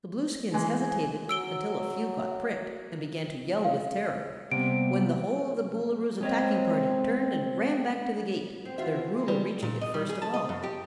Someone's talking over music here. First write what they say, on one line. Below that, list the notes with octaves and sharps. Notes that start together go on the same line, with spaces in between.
The Blueskins hesitated until a few got pricked and began to yell with terror, when the whole of the Boolooroo's attacking party turned and ran back to the gate, their Ruler reaching it first of all.
E3 G#3 G#5
F#3 E6 D7 G7
F5
C3 G3 A#3 B3 D7
G#3 C4 C#5 D#5
C4
E3 F4 F#4 E5
G#3
G3 B4
A#2
D#5
G3
G#4
A5
D#5
F#2
G4